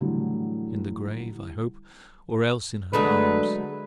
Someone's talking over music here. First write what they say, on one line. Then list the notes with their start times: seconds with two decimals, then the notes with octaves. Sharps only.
In the grave, I hope, or else in her arms.
0.01 A2 D3 E3 F#3 G3 A3
2.93 D3 F#3 G#3 A3 B4